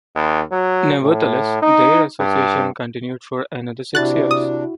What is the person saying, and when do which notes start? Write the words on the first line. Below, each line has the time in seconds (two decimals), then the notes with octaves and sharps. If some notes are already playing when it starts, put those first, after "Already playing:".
Nevertheless, their association continued for another six years.
0.15 D#2
0.51 F#3
1.03 A2
1.62 D#4
2.19 G2
3.95 C3 D4 E4 F#4 F#6 A6
4.31 D#6